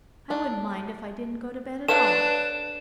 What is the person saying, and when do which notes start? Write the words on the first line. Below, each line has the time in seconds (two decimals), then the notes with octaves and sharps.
"I wouldn't mind if I didn't go to bed at all."
0.30 A3 D4
1.88 D4 A4 B4 C#5 F5 E7